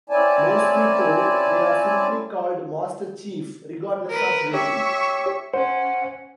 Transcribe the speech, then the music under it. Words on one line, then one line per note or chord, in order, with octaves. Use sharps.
Mostly, though, they are simply called "Master Chief", regardless of rating.
C4 C#4 E4 D5 G#5 A5
A#4 B4
G4 C#5 E5 C#6
C#4 C5 F#5